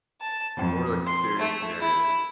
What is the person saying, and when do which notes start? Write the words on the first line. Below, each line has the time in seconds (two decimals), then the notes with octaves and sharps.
more, like, serious scenarios,
0.22 A5
0.58 F2
1.06 C6
1.39 A3
1.80 E4